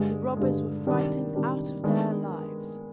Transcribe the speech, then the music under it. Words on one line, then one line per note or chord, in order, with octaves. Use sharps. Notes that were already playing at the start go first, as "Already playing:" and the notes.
The robbers were frightened out of their lives.
Already playing: G2 D3 G#3
G2 D3 G#3
C3 D#3 G3 D4
C3 D#3 G3 D4
D#3 G#3 B3 D4